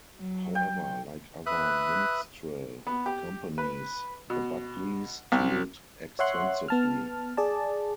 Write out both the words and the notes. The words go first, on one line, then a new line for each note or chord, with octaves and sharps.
However, like other minstrel companies, the Buckleys toured extensively.
F#3
G5
B4 E5 D#6 F#6
B3
G4
B4
B2
C2
C#5 E5 F#5 C6 F#6
B3 A5 F6
G#4 D5 A5